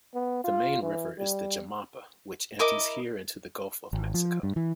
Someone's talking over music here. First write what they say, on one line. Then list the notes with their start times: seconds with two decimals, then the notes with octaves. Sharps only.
The main river is the Jamapa, which empties here into the Gulf of Mexico.
0.14 B3
0.44 F4
0.82 E3
1.18 G3
2.59 E4 A#4 D#5 D6
3.93 G#1
4.14 F3
4.43 G2
4.56 E3